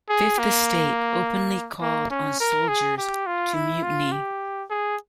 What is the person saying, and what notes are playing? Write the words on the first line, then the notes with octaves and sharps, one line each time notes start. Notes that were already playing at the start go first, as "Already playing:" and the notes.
"Fifth Estate" openly called on soldiers to mutiny.
G#4
A#3
A#3
C#4
A#4
G#4
G4
F4
E4
F4
G4
G#4